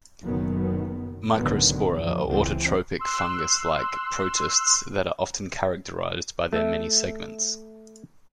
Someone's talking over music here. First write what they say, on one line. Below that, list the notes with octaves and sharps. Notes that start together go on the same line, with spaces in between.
Microspora are autotrophic fungus-like protists that are often characterized by their many segments.
F#1 F#2 B2 D#3 F#3 B3
C2 A2 D3 D#3 F#3 B3
F2
C#2 E3 C4
C6 E6 F#6
A3 E5